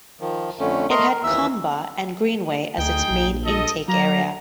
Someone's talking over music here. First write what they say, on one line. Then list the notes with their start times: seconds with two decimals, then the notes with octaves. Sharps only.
It had Kambah and Greenway as its main intake area.
0.21 D#3 F3
0.59 F2 D3 A3 C#4
0.90 A3 A#4 D#5 A#5 C6
1.08 A#4
1.24 D#2 E3 E5 E6
2.78 D2 D#4 G#4 G5
3.10 A#1
3.45 A4 D#5
3.88 F#3 A#3 A#5